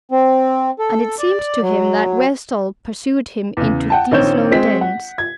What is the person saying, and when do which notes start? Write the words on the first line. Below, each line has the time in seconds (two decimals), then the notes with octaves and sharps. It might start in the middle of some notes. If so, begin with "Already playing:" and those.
And it seemed to him that Westall pursued him into these low dens.
0.11 C4
0.79 A4
1.19 D5
1.62 F#3
3.57 E2 C#3
3.90 F#5 G5 A5
4.11 A#1 D#3 C4 C#5 G6 E7
4.51 G#3 C4 B6
4.81 F#5
5.18 G#6